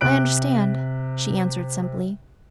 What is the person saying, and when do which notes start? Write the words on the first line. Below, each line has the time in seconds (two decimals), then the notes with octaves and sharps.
"I understand," she answered simply.
0.01 C3 F#6 D7